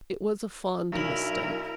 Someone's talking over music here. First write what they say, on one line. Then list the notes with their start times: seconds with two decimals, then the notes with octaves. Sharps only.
It was a fond mistake.
0.92 B1 D4 E4 A#4 F#7